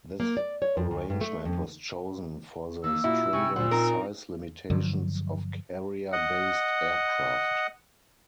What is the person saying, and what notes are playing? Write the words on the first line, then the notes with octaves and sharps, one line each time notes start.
This arrangement was chosen for the stringent size limitations of carrier-based aircraft.
A#3
D5
C#5
F2
D2
G2
A3
F2
D#3 A#3 E6
A#2 E4 F#4
C3 G5 G#5 C#6
D2 A#2 C5 F#5
C4 D#4 F4 A#4
G2 D3 F3 F#3
D#5 F#5